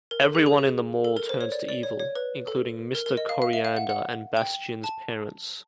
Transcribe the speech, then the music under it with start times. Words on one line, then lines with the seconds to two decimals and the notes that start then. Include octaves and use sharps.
Everyone in the mall turns to evil, including Mr. Koreander and Bastian's parents.
0.11 A#4
0.22 A4
0.35 G#4
0.46 G#4
0.58 G#4
1.05 A4
1.17 A#4
1.29 C5
1.41 C#5
1.52 D5
1.68 D5
1.83 C#5
1.99 C#5
2.15 B4
2.47 A4
2.95 A#4
3.06 A#4
3.17 D#5
3.29 F5
3.42 F5
3.53 E5
3.65 F5
3.77 F#5
3.89 F#5
4.37 G5
4.84 A5